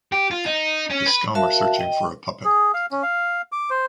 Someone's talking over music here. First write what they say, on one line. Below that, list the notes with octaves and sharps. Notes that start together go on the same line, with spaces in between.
The scum are searching for a puppet.
G4
F4
D#4
C#4
B4
F#4 A#4 E5 F5 A5
D#5 G5
G#4
F5
C#4
F5
D6
C5